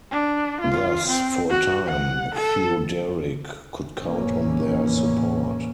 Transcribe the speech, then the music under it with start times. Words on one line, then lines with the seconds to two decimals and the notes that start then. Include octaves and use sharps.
Thus, for a time, Theoderic could count on their support.
0.11 D4
0.61 F4
1.06 C4
1.50 F#4
1.86 F#5
2.34 A4
4.00 F1 E2 A2 A#3 C#4